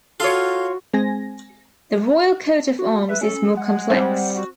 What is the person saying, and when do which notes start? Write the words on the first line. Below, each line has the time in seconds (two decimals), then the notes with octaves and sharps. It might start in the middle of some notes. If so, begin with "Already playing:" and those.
The Royal Coat of Arms is more complex.
0.20 F4 F#4 A4 C#5 F5 C6
0.94 G#3 C4 G#5 A#6
2.79 F#4
3.09 B4 E5
3.21 C#4 A4
3.57 G#3 F#5
3.90 G3 C4
4.35 F#4